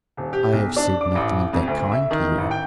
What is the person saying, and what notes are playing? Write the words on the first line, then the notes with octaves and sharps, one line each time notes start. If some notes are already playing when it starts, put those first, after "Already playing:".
"I have said nothing of that kind to you."
D#1
G4
B1
D4
D6
A1
F2
D2
E5
D#3
A1
G5